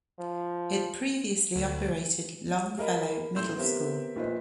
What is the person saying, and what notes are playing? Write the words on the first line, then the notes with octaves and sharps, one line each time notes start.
It previously operated Longfellow Middle School.
F3
D2
G#4 A#4 D#5 B5
A1 A3 C6 G6 E7
B3 C4 G4 A#4 E5
A#1 A#2 B4 C5 D#5